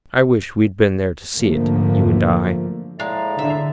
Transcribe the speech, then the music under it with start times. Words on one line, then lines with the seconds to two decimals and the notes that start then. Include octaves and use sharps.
I wish we had been there to see it, you and I.
1.37 G#2 D3 F3 A3 A#3
3.00 A2 G#3 D5 F5 A#5
3.39 D3 E5